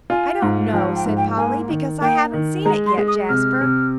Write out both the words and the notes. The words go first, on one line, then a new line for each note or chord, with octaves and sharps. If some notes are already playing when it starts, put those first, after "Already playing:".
"I don't know," said Polly, "because I haven't seen it yet, Jasper."
F4 G#5
G#2
F3 G5
G5
G#2
G5
A#3 G#5
D#3
A#3 G5
D#3
G#3 A#5
C6
G#3
D#6
C3 F6
C3